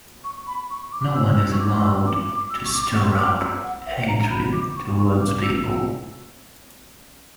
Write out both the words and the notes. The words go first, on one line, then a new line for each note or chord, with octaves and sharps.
No one is allowed to stir up hatred towards people.
C#6
B5
C#6
D6
E6
E6
C#6
D6
E6
D6
D6
E6
C#6
D6
C#6
D6
E6
F#5
E5
A#5
B5
D6
C#6
C#6
D6
E6
E6